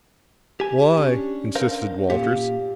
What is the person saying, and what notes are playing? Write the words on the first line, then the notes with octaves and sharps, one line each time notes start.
"Why?" insisted Walters.
G4 G#5
C#4 D4
A#4 C5 F5
A#2 G4